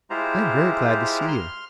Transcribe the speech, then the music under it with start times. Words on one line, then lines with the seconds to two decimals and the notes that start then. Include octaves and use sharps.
"I am very glad to see you."
0.10 G#3 E4 F4 G4 C5 A#5
1.28 C6 F6